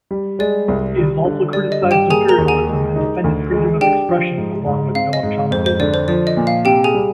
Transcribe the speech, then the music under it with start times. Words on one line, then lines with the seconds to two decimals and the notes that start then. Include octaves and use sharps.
He has also criticized imperialism and defended freedom of expression along with Noam Chomsky.
0.11 G3
0.39 G#3 D5
0.68 C2
0.97 G3
1.25 D3
1.53 G3 D5
1.72 D#5
1.82 G2
1.91 G4 G5
2.10 A#3 G#4 G#5
2.29 A#4 A#5
2.38 D#2
2.48 G#4 G#5
2.67 G#3
2.96 D#4
3.24 D2
3.52 G#3
3.81 D4 G4 G5
4.09 F3
4.38 G#2
4.66 G#2
4.95 C4 F5
5.13 D#5
5.23 G#2
5.51 F2 C5
5.66 C5
5.80 D3 D5
5.94 C5
6.08 F3 D5
6.27 D#5
6.37 A#2
6.47 F5
6.65 C3 G4 G5
6.84 G#4 G#5
6.94 G3